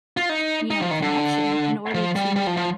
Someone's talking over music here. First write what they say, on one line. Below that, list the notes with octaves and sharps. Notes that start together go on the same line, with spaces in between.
you know, connection, in order to
F4
D#4
D#4
F3
D#3
D3
F3
G3
G3
F3
F3